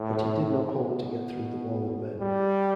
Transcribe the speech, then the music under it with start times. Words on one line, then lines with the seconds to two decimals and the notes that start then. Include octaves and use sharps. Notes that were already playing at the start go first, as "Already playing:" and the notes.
But he did not hope to get through the wall of men.
Already playing: A2
0.76 B2
2.20 G3